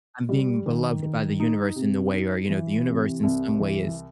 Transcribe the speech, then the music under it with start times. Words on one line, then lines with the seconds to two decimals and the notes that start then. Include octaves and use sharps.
I'm being beloved by the universe in the way, or, you know, the universe in some way is
0.29 G3
0.66 D#3
1.03 D#3
1.40 D#4
1.76 C3
2.12 D#4
2.49 E3
2.86 C3
3.23 C2
3.60 E3